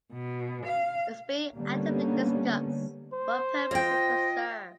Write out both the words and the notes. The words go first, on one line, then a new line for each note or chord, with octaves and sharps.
It is being actively discussed what purpose it could serve.
B2
F5
D3 G3 A#3 B3 C#4
C5
F4 D#5 G5